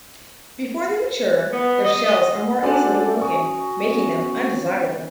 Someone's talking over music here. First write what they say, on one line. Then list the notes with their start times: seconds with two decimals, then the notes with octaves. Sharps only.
Before they mature, their shells are more easily broken, making them undesirable.
1.53 B3
1.84 D#5
2.63 C#4 D4 F#4 A4 C5 D5 F#5 G#5
3.21 F#4 G#5 C#6 D#6
3.91 B3 C#4